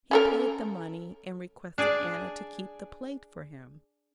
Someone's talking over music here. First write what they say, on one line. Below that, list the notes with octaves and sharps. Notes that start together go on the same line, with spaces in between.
He paid the money, and requested Anna to keep the plate for him.
C#4 A4 A#4
D4 G#4 D5